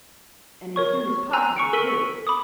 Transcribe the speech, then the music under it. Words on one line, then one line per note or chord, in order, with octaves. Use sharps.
"And as soon as possible, too."
A#4 C#5 C#6
G#5 A#5 E6 F#6
C#6 C#7 D7
A4 A#4 E6 B6 D#7 F#7
B5 D6 D#6